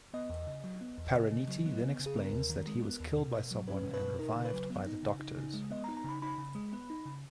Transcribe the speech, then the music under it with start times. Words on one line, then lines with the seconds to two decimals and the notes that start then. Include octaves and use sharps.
Parineeti then explains that he was killed by someone and revived by the doctors.
0.14 B3 D#5
0.30 E2
0.47 C#3
0.64 F#3
0.81 B3
0.98 E2
1.15 C#3
1.31 C#3
1.48 F#3
1.66 B3
1.82 C#3
2.00 C#3
2.06 G#4
2.16 B3 A#4
2.32 D#2
2.49 D#3
2.67 G#3
2.84 B3
3.00 D#2
3.17 B2
3.35 B2
3.51 F#3
3.68 C#4 B4
3.84 B2
3.94 B4
4.01 B2
4.19 D#4 A#4
4.36 C#3
4.45 B4
4.53 F#3
4.70 B3
4.86 D#4
5.03 C#3
5.20 D#4
5.38 C#3
5.54 G#3
5.70 B3 D#5
5.84 A#5
5.88 D#4
5.97 A#5
6.04 C#3 B5
6.22 D#4 B5
6.38 C#3
6.55 G#3
6.73 B3
6.90 D#4
7.06 C#3